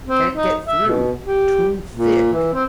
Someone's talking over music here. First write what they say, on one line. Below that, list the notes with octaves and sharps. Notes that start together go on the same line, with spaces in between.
"Can't get through--too thick!"
C4
D#4
E5
B2
G4
A#2
E3
C4